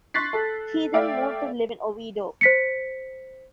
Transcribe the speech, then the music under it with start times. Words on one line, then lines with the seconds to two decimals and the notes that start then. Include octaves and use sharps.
He then moved to live in Oviedo.
0.14 C6 C#6 F#6 A6 B6 C7
0.33 A4
0.94 A3 D5 E5 F5 G5
2.41 C5 B6 C#7